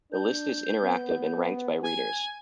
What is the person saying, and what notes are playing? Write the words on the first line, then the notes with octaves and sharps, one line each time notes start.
The list is interactive and ranked by readers.
D4 G6
B3
G#5